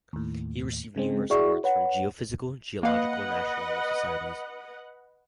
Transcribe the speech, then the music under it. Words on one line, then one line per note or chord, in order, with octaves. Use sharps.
He received numerous awards from geophysical, geological and astronomical societies.
D#2 A2
C#3 G#3 C4
E4 F#4 G#4 D5 C#6
B4 C#5 F#5
A#3 B4 D#5 F5 F#5